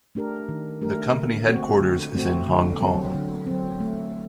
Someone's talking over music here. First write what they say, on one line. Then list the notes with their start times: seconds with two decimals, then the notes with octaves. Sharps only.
The company headquarters is in Hong Kong.
0.15 A3 D4 G4 A#4
0.49 D#3
0.81 A3 D4 G4 A#4
1.15 D3
1.48 A3 C4 F#4
1.81 D3
2.15 A3 C4 F#4
2.48 D3
2.81 F#3 C4
3.14 D3
3.47 F#3 C4
3.80 A3